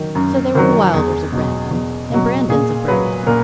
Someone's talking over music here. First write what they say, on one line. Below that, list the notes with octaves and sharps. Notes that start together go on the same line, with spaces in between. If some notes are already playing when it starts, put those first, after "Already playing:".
So there were Wylders of Brandon, and Brandons of Brandon.
Already playing: D#3 F#3
F#2
D#3 F#3
E2 G#4
B2 F#3
E2
B2 F#3
A#2 G#4
F#3 B4
A#2 A#4